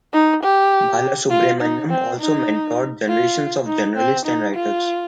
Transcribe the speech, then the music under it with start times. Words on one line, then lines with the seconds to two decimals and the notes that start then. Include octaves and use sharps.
Balasubramanian also mentored generations of journalists and writers.
0.13 D#4
0.42 G4
1.30 F4
1.61 D#4
1.90 C4
2.20 D#4
3.08 F4
3.66 D#4
3.96 C4
4.25 D#4
4.54 F4